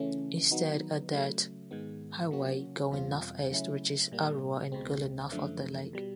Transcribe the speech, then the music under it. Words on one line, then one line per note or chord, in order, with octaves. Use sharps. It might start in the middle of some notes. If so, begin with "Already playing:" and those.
Instead a dirt highway going north-east reaches Arua and Gulu north of the lake.
Already playing: C#3 E3 A3 C#4
D#3 F#3 B3 D#4
C#3 F#3 A3
G#2 D#3 G#3 B3
C#3 F#3 A#3 C#4 F#4
E2 B2 G3 C4 F4
C#3 F#3 A3 C#4 E4
A#2 G3 A#3
C#2 B2 G#3 C4
F#2 D3 F3 A3
B2 G3